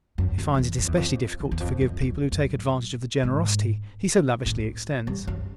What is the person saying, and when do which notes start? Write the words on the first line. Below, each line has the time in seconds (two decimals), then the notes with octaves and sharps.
He finds it especially difficult to forgive people who take advantage of the generosity he so lavishly extends.
0.18 F#2
0.38 F#2
0.54 F2
0.58 E2
0.79 F2
0.88 E2
0.97 F2
1.40 E2
1.52 E2
1.60 F2
1.81 F#2
2.02 F2
2.32 F#2
3.23 G#2
4.46 A2
5.07 G2
5.27 F#2